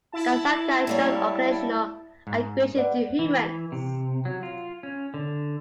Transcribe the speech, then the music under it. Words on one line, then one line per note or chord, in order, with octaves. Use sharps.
Kasatka showed occasional aggression to humans.
E4 A5
G3 A#3 C#5
G#2
B4 D5 F#5
E3
C3
F#3
F4
C#4
D3